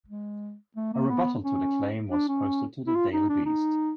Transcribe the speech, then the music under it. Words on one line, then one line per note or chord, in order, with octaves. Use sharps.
A rebuttal to the claim was posted to The Daily Beast.
G#3
A3
A#3
B3
C#4
D4
C#4
E4
F4
D#4
D4
D#4